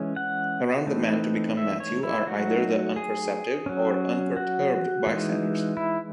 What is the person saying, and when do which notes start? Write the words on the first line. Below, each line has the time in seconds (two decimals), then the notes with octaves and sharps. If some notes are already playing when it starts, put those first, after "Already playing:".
Around the man to become Matthew are either the unperceptive or unperturbed bystanders.
Already playing: E3 G#3 C#4
0.16 F#5
0.87 E3 A3 C4 D#4
1.57 E5
1.80 C#5
2.03 E4
2.27 F#3 A3 D#4 F#4
2.96 G#4
3.66 F#3 C#4
4.37 F#4
5.06 E3 G#3 D#4
5.77 E4